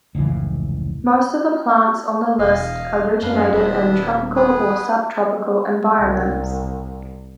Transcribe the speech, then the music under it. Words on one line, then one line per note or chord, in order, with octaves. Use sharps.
Most of the plants on the list originated in tropical or subtropical environments.
F1 C#2 A2 E3
E1 D#5 F5
F#2 D4 B4 F5
D#1 B3 D4 E5
B3 G#4 B4
C2